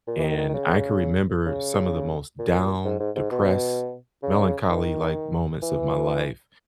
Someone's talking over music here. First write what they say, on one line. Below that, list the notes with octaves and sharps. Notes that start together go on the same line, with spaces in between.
And I can remember some of the most down, depressed, melancholy-like moments of my life
A#2
E3
D#3
D#3
D#3
C#3
C#3
A#2
G#2
G#2
G#2
B2
C#3
D#3
E3